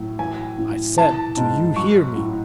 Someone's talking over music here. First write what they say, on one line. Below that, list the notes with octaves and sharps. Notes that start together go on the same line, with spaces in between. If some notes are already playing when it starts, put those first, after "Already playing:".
"I said, do you hear me?"
Already playing: A2 F#3
E3 G#5
A2
E3 A5
G#2
F#3 C#6
A2